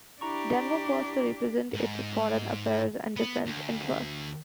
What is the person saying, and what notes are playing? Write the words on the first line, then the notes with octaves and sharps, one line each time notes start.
Denmark was to represent its foreign affairs and defense interests.
D4 E4 G4 A#5 C#6
G#2
B3
D2